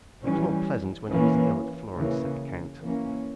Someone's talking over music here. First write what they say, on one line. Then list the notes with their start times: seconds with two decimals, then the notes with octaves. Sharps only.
"He was not pleasant when he was ill at Florence," said the count.
0.24 E3 G3 C#4
1.10 E3 A#3 C#4
1.96 C#3 E3 A#3 C#4
2.82 E3 A#3 C#4